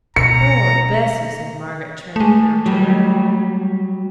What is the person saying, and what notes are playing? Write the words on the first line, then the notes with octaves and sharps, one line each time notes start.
'Poor Bessy!' said Margaret, turning round to her.
B2 A#5 C#7
G#3 A3
F#3 G3